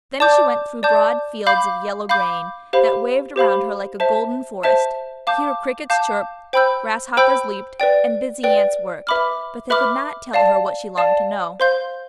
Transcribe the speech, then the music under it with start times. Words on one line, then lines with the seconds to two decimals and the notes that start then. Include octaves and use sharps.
Then she went through broad fields of yellow grain, that waved around her like a golden forest; here crickets chirped, grasshoppers leaped, and busy ants worked, but they could not tell her what she longed to know.
0.20 D5 A5 D6 G6
0.83 D5 A5 D6 G6
1.47 F5 B5 D6 G6
2.09 F5 B5 D6 G6
2.73 G4 C5 F5 B5
3.36 G4 C5 F5 B5
4.00 C5 E5 A5
4.63 C5 E5 A5
5.27 F5 A5 D6 G6
5.90 F5 A5 D6 G6
6.53 C5 G5 B5 E6 G6
7.17 C5 G5 B5 E6 G6
7.80 B4 D5 G5
8.44 B4 D5 G5
9.07 B4 E5 B5 D6 F6
9.70 B4 E5 B5 D6 F6
10.33 D5 F5 A5
10.97 D5 F5 A5
11.60 C5 F5 C6 G6